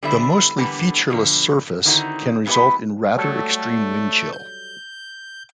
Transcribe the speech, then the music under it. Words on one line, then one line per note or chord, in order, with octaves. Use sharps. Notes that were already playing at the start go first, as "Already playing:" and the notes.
The mostly featureless surface can result in rather extreme wind chill.
D3 G3 B3 E4 C5 E5
D3 E3 G3 A#3 B3 D4
B2 D3 F3
D3 D#3 C4 D#4 E4 F#4
G#3 B3 E4 G4 B4 D#5
F#3 G3 A3 A4
G6